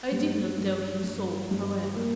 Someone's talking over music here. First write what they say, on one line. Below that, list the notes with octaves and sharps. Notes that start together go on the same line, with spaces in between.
I did not tell him so however.
G2
G2
G2
G2
A#3